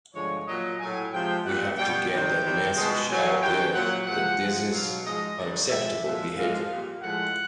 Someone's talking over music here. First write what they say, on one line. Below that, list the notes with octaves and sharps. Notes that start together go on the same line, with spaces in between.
We have to get that message out there that this is unacceptable behaviour.
G2 D3 F3 G#3 C#5
A#2 F#3 D#5
A2 F#3 G#5
C3 F3 G#3 G5
A#2 G3 F#5
B2 G3 G5
C3 D#3 G3 G5
C3 D#3 G3
B2 G#3
A2 F#3 G#5
F#2 D#3 G3 G5
A#2 F#3 F#5
C3 F3 G#3 F#5
G#2 F3 G#3
B2 F#3 F5
G#2 F3 G#3 D#5
G2 D3 F#3 D5
A2 F3 G#3 E5
A#2 F3 G#3 E5
G#2 F3 G#3 F5
A#2 G3
A2 F3 G#3 F#5